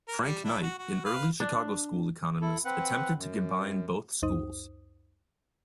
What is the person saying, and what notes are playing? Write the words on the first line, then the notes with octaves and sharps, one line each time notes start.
Frank Knight, an early Chicago school economist attempted to combine both schools.
A#4
G3
D4 E4
F#4
F#4
B4 F5
D4
E4 A4
C4 B4 F#5
F#2
C#2 F#2 D#4 C5 D#6